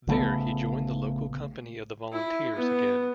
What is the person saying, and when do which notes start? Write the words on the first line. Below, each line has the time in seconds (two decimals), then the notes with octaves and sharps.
There he joined the local company of the Volunteers again.
0.07 A#1 C#3 A3 B3
2.13 E4
2.55 B3